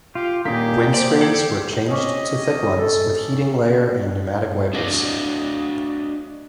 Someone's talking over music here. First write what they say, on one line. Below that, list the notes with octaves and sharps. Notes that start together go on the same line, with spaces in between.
Windscreens were changed to thick ones with heating layer and pneumatic wipers.
F4 G4
D#1 D#3 A#3 G4 G#4 B6
C5 D5
A4 G#6 C7 F#7
C4 C#4 G4 D#5
A4
D4 F#4 D5 D#5 F5